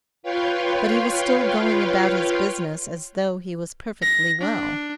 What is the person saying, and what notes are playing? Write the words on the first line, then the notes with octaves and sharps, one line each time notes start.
But he was still going about his business as though he was perfectly well.
F4 B4 C#5 F5 G5 C6
A#6
D4